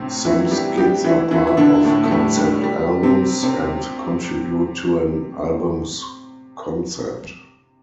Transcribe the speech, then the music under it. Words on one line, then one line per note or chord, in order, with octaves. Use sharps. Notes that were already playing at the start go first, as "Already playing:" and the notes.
Some skits are part of concept albums and contribute to an album's concept.
Already playing: A2 C3 A3 C4
E3 E4
G3 G4
G3 G4
E3 E4
E3 E4
E4
D3 D4
A2 A3
A3
G3
G3
G3
C3 C4
C3 C4